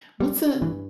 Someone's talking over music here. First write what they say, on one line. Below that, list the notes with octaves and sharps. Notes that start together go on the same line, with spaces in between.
what's a
G3
G2 E3